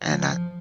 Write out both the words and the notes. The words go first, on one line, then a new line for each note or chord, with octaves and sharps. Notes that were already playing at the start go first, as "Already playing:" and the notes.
and I I
F3
F3